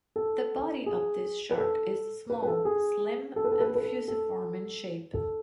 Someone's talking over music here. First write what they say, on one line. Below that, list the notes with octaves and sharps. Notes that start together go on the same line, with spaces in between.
The body of this shark is small, slim, and fusiform in shape.
A4
G#4
B4
A4
B4
B4
A4
G#4
A4
B4
A4
B4
A4
B4
A4
A4
A4